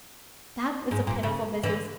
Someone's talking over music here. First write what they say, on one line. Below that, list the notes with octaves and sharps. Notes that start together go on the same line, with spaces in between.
That was a pitiful business.
G#2
A#2
C#3
D3 E3